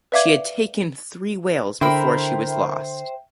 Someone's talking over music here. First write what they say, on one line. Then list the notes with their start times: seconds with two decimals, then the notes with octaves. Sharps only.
She had taken three whales before she was lost.
0.12 B4 D5 E5 F5 D6 G#6
1.81 D3 E4 A#4 C5 E5 G5 B5